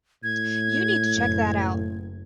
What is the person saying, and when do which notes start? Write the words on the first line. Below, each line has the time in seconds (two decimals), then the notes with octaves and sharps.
You need to check that out.
0.23 A2 G#6
1.14 F#1